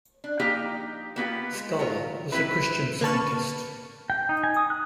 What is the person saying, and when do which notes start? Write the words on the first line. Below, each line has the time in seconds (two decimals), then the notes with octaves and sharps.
Skala was a Christian Scientist.
0.24 D4
0.39 F3 A#3 D#4 G4 G5
1.16 A#3 B3 F4 G4
1.53 G#3
1.79 F#3 F4 A#4 C#5
2.32 C4 E4 G4 B4
3.01 A#3 B4 A5 C#6
4.10 G5
4.29 D#4
4.44 G#5
4.57 D#6
4.70 F#6